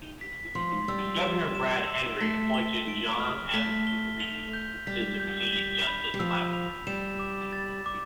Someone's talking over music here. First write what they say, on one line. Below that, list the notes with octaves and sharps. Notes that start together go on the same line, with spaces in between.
Governor Brad Henry appointed John F. Reif to succeed Justice Lavender.
B6
F3 C6
G3 E6
E7
E7
E6
A3 B6
G7
D7
F6
A3 B6
G7
F7
G6
G3 B6
G6
B6
B5
G3
F3 E6
F7
G3 E7
D6
A6
D6